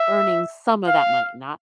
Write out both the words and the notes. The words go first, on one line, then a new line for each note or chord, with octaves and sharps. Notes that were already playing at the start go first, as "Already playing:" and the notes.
earning some of that money, not,
Already playing: E5
F5